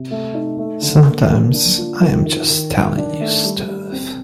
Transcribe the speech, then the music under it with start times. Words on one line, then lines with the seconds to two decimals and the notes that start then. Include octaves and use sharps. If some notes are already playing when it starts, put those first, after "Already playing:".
Sometimes I am just telling you stuff.
Already playing: C3
0.11 A3
0.34 D#4
0.58 A3
0.82 D3
1.06 A#3
1.30 A#3
1.54 D4
1.78 F4
2.01 D#3
2.25 D#3
2.49 D#3
2.73 D#3
2.97 D4
3.20 A3
3.44 G3
3.69 G3
3.92 C4